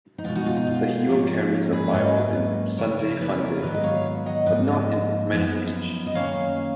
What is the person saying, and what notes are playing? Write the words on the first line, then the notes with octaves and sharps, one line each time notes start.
The hero carries a Bible in "Sunday Funday", but not in "Menace Beach".
D#4
B2 G#3 B3 F4
D#4 F#4
F4
D#4
F4
G#2 F3 A#3 C#4
G#4 B4
G#2 F#3 A#3 C#4 B4 D#5
C#3 F3 B3 A#4 C#5
A#4 C#5
A#4
G#4 B4
A#4 C#5
G#2 D#3 F#3 B3 B4 D#5
D#5
C#5 F5
D#5 F#5
G#2 F3 A#3 B4 D#5
F#2 F3 B3
D#5
F#2 D#3 A#3 C#4 C#5 F5